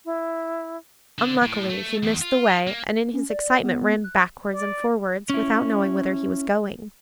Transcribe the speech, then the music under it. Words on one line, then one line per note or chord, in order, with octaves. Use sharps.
Unluckily he missed the way, and in his excitement ran backwards and forwards, without knowing whither he was going.
E4
D3
A2
A3
E2
F4
A#3
C#4
D5
B3
F#6
D5
C#4 E4